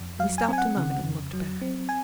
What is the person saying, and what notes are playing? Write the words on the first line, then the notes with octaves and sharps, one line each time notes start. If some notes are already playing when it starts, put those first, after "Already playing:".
We stopped a moment and looked back.
Already playing: F2
F#3 F5
G#5
C4 G#5
F#5
C#3
F2
F#3
C4
G#5